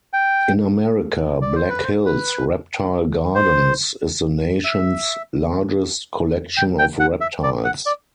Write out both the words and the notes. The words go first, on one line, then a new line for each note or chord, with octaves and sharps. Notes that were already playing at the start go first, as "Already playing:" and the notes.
In America, Black Hills Reptile Gardens is the nation's largest collection of reptiles.
G5
D5
C5
B4
C5
B4
C5
E5
G5
G5
F#5
E5
D5
F#5
D5